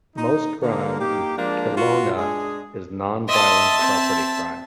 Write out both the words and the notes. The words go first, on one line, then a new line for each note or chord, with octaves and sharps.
Most crime in Kelowna is non-violent property crime.
D#4
D3 A#3
A#3 D#4 G4
F3 G#3 A#3 D4
F4 F#4
G#3 D4 G#4
D#5 E5 A5 C6
C4